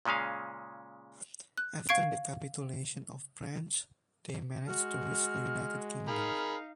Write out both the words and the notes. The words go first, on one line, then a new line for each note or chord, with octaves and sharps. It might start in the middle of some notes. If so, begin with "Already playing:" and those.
After the capitulation of France, they managed to reach the United Kingdom.
A#2 C#3 G#3 C#4 F5
F#6
F5 C#6 G#6 C7 D7
G#3 F#4 F6
D#4 G#4 A#4 F5 B5